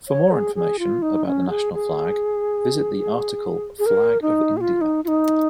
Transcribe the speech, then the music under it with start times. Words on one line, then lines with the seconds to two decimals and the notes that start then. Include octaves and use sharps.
For more information about the national flag, visit the article Flag of India.
0.08 C#5
0.31 G#4
0.55 G#4
0.79 F4
1.02 D#4
1.26 C#4
1.49 G#4
1.73 G#4
3.79 G#4
3.86 A#4
4.22 D#4
4.57 G#4
4.61 F4
4.81 D#4
5.04 F4
5.08 D#4